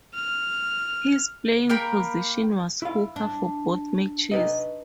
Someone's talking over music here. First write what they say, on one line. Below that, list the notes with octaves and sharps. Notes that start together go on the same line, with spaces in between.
His playing position was hooker for both matches.
F6
A#3 A#4 G5 B5
E4 F5
D4
D#4 B4 D#5